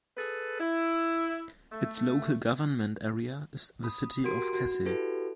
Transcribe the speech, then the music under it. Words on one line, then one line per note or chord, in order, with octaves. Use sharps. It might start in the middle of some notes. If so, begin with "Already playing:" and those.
Its local government area is the City of Casey.
G#4 A4 B4
E4
A3
B5 D#6
F#4 G4 A#4 C6 D7
F#4
E4 F#4 G4 A4 B4